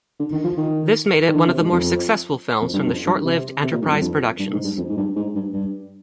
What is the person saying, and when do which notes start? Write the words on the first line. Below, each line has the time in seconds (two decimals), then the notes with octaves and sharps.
This made it one of the more successful films from the short-lived Enterprise Productions.
0.20 D3
0.32 D#3
0.45 F3
0.57 D#3
1.29 D#3
1.34 D3
1.47 C3
1.60 G#2
1.72 F2
2.61 F2
2.74 G2
2.86 F2
3.06 G2
3.25 C3
3.63 C3
3.72 A#2
3.82 G#2
3.86 F2
3.91 G2
4.01 F2
4.39 G2
4.52 G#2
4.64 G2
4.77 F2
4.89 G#2
4.97 G2
5.16 G#2
5.35 G2
5.53 G2